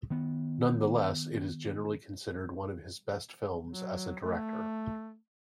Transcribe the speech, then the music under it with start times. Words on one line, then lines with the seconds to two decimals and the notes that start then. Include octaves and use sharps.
Nonetheless, it is generally considered one of his best films as a director.
0.10 D#3 B3
3.67 F#3
4.23 A3